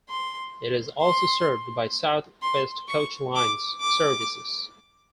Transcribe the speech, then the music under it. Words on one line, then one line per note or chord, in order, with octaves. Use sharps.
It is also served by South West Coach Lines services.
C6
C6
C6
C#6
D6
D6